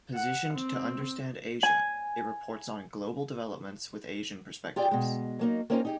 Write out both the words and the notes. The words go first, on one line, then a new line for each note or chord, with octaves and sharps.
Positioned to "Understand Asia", it reports on global developments with Asian perspectives.
F#5
C4
G#5
F4 G4 G#4 D5 G5
B2 G#3
F#3 A#3 D#4
A#3 C4 C#4 D#4 F4 A#4
D#4 G4 G#4